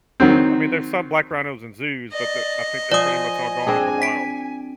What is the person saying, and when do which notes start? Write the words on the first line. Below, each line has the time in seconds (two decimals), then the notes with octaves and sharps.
I mean, there's some black rhinos in zoos, but the I think they're pretty much all gone in the wild.
0.20 D#3 F#3 C4
2.13 D5 D#5
2.92 F3 C5 D5 G#5 D#6
3.67 C4 D4 G#4
4.02 B6 D7